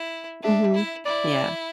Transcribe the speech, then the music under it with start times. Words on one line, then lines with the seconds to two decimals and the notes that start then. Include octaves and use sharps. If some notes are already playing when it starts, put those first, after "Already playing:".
Mhm. Yeah.
Already playing: E4
0.43 D4 E5
0.75 E4
1.05 E4 D5